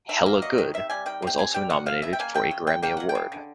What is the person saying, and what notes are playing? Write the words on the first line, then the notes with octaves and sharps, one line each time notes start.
"Hella Good" was also nominated for a Grammy award.
D#3 E5
A#3
F#3 D#5
D#3
C3 E5
G3 G#5
D#3 G5
C3 G5
C3 G#5
G3 G5
D#3 F#5
C3 F5
C#3 E5
G5
A#3 G#5
F#3 G5
C#3
C#3 G5
A#3 G5
F#3 F#5
G5
C#3
D3